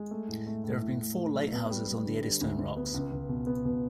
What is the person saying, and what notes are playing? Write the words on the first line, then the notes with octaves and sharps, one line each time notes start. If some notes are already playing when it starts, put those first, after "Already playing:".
There have been four lighthouses on the Eddystone Rocks.
Already playing: G#3
A3
A2
A3
A2
A2
A2
A3
F#3
B3
G3
G3
D3
G3
D2
D2
B3
C#2
C#2
B2
B3
B2